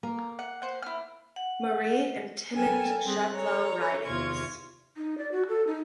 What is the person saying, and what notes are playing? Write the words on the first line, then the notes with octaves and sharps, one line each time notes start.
Marie and Timmins-Chapleau ridings.
A#3 A#4
F#5
C5 F#5
E4 F6
F#5
F#3 A4 A#4 G5 G#5
G3 C4 G#4 F#6
A4 C#5 A#5
E2 C3 D#3 F4 C#6 G#6
D#4
D5
F#4
A4
D#4